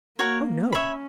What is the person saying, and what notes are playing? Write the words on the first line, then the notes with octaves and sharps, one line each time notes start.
"Oh no."
A#3 F#4 A#4 C#5
C#4 C#5 E5 B5